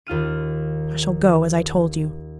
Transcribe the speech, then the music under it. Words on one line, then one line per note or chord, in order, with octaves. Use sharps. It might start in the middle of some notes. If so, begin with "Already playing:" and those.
I shall go, as I told you.
D#2 F4 F6 D#7